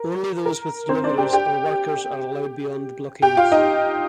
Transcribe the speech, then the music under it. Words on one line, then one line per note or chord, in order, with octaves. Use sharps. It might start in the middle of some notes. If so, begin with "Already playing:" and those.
Only those with deliveries or workers are allowed beyond the blockades.
Already playing: A#4
A#4
C4 C5
D4 D5
G4 G5
G4 G5
G4 G5
F4 F5
D#4 D#5